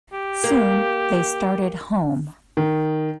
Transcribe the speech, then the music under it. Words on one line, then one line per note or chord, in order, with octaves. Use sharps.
Soon they started home.
G4
A#3
D#3